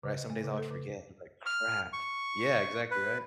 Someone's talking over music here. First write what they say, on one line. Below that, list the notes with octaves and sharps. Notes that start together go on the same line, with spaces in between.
right? Some days I would forget, and be like, "Crap." Yeah, exactly, right?
C#3
D#5
A3
C#3
A4
C#3
F6
C#6
B4